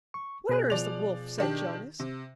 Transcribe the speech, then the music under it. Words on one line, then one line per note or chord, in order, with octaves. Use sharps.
'Where is the wolf?' said Jonas.
C#6
B2 G#4 F#6
F3 D5 F7
D#3 D4 G4
C3